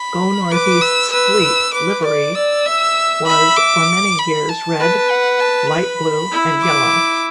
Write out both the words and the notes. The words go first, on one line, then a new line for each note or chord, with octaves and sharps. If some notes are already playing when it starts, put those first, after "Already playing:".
Go North East's fleet livery was for many years red, light blue and yellow.
Already playing: B5
B4 D6
E6
B4 E6
B4
B4 D6
D5 D6
D5 E6
E5
E5 B5
D6
B5
A5
B4
F#5
A5
B5
E4
D6